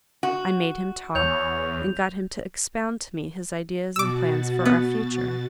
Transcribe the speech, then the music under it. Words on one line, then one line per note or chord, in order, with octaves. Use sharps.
I made him talk, and got him to expound to me his ideas and plans for our future.
F#4
E2 C#5 G6 F7
B2 F#4 D6 E6 A6
B3